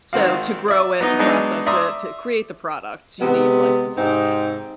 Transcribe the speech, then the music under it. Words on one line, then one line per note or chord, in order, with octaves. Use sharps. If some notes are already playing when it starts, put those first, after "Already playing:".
So, to grow it, to process it, to create the products, you need licenses,
G#1 D#3 C4 F#4 F5
D5 E5
F#3 B3 D#4 D#5
F#3 G#3 B3 D4 D#4
D5 E5 A#5 C6 D#6
C3 G#3 B3
G#2 C3 C4 D#4